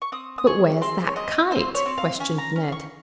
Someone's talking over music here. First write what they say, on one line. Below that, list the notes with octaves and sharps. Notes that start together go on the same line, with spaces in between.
"But where's that kite?" questioned Ned.
C#6
C4 D#6
D#6
G#4 C#6
C4 C6
C#5
C4 D#5
C4 C5
C#5
C4
F5
C#4 G#5
A#5
C#4
C#6